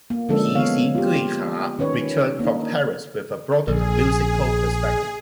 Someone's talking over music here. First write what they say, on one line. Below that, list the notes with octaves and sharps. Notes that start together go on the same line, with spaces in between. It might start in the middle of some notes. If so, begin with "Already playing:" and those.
Pixinguinha returned from Paris with a broadened musical perspective.
A#3
D3 F3 G#3 C#4 D4 A4
B3 C#5 F5
F4 G4
D#3 C#4 B4 C#5
A#3 D4 D#4
A#1 G#4